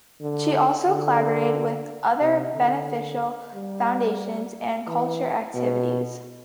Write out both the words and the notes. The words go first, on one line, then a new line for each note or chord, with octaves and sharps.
She also collaborates with other benefic foundations and cultural activities.
D3
D3
C3
D3
G3
E3
B2